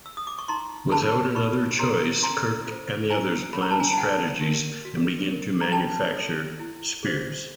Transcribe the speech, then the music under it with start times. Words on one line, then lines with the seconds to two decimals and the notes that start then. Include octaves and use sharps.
Without another choice, Kirk and the others plan strategies and begin to manufacture spears.
0.06 E6
0.17 D#6
0.27 D6
0.38 C#6
0.48 D#4 A#5 C6
0.92 G#4 B4 A5 B5
1.35 D#4 B5 C#6
1.79 G4 A#4 C#5 A#5 C6
2.23 C#4 A#5 C6
2.67 F4 A4 C5
3.10 E4 G#5 A#5
3.53 A4 C#5 B5
3.62 A#5
3.71 A5
3.80 G#5 A#5
3.93 A5
3.97 D4 F#5 G#5
4.41 G4 A#4
4.85 F#4
5.28 A#4 C#5
5.61 A#5
5.72 F#4 G5 A5
6.15 A4 C#5
6.59 E4
7.03 G#4 C5